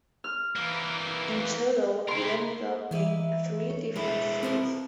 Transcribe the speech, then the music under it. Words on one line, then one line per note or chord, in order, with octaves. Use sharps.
In total, it ended up being three different cities.
F6
E3 A#3
E4 A#4 C6
E3 A#3 E4 D#5
C#5
E3 G#3 E4
B2 F3 C4 A#4